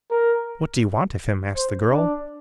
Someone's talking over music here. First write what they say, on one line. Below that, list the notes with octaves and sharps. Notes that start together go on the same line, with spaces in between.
"What do you want of him?" asked the girl.
A#4
C5
D4